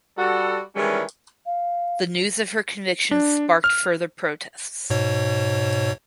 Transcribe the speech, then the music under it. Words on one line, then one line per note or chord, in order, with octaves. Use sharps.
The news of her conviction sparked further protests.
G3 F#4 A4
D#3 E3 G3 G#3 C#4 D4
F5
D4
F6
G#2 B2 C#5